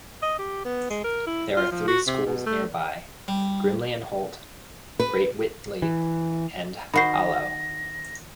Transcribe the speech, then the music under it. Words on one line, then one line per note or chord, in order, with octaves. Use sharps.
There are three schools nearby: Grimley and Holt, Great Witley and Hallow.
D#5
G4
B3
G#3
A#4
E4
F4
F3
F#4
C3
B2
A3
G3
B4
E3
D#3 D#4 F#4 C5 F#5 B5 A#6 C7